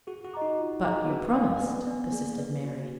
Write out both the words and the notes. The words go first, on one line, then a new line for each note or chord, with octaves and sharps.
"But you promised," persisted Mary.
F#4 G#4
F#4
D#5 A#5 D6
D#4
F4
G#4 D#5 A#5 D6
B3
D4 B4
B3 D5 F5 G#5
B3 B4
D5 G#5
A#3 G#4
B4 D5
F#4